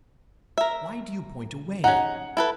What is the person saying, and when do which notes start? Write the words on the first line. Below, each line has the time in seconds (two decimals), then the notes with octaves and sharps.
"Why do you point away?"
0.58 A#4 E5
1.84 C#4 D#4 F#5
2.37 E4 A4 B4